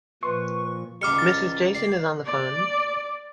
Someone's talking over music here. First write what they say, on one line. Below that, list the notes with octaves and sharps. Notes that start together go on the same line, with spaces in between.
Mrs. Jason is on the phone.
A#2 F3 B4 C6 C#6
C#2 G#2 G3 D6 F6 C#7
A6
D5 C7
D5